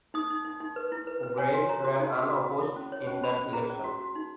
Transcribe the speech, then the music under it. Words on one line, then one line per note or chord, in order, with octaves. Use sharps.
Grabe ran unopposed in that election.
D#4 D#6
D#4
D#4
D#4
B4
E4
B4
B4
C#5 G#5
F#4
C#5 A#5
F#4
D#4
F#4
F#4
F#4
E4
C#4
C#5
C#4
C#4 B5
C#4
G#4 A#5
C#4
F#4
F#4
D#4